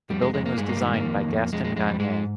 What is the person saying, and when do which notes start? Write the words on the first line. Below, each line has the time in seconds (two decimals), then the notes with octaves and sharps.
The building was designed by Gaston Gagnier.
0.10 F2 G3
0.22 G#3
0.33 F2 G#3
0.46 A#3
0.57 G2 G#3
0.69 A#3
0.77 G3
0.81 D#3 G#3
0.94 A#3
1.05 F2
1.28 F2
1.53 F2 G#3
1.64 G#3
1.76 F2 G#3
1.88 G3
2.00 G#2 G#3